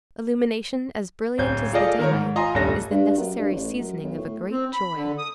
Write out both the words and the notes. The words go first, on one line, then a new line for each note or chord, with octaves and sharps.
Illumination as brilliant as the daylight is the necessary seasoning of a great joy.
D1 C#4 G6 G#6
F4 G#4 A4 D5 D#5 F5
D#3 A#4 C#5
G#2
F4 D#5 G#5 A#5 C6
D#1 G2 A3 C#4 A#6
G2
F#2
G2
A1
F#2
B1
A2
C4
B5
D3
D#6